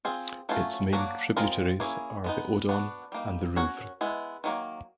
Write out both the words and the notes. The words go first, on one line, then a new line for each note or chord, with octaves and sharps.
Its main tributaries are the Odon and the Rouvre.
C4 F4 G#4
F#3 A3 C#4 F4
F#3 A#3 D4 F#4
G#3 C4 F4 A#4 D#5
A#3 C#4 E4 G#4
G#3 B3 D#4
B3 D4 F#4
G3 A#3 D#4
C#4 F#4 A#4 C#5
G#3 B3 E4
D#3 F#3 A#3